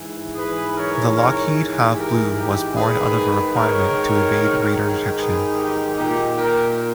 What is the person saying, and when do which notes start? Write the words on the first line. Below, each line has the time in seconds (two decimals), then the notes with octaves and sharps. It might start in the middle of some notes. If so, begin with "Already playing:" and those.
The Lockheed "Have Blue" was born out of a requirement to evade radar detection.
Already playing: G#2 E3
0.35 G#4 B4
0.75 A#4 C#5
1.15 A#4 C#5
1.95 G4 A#4
2.35 D#4 G4
2.75 G#2 D#3 G#4 B4
3.56 A#4 C#5
5.16 G#4 B4
5.56 D#4 G4
5.96 A#2 D#4 G4
6.37 G4 A#4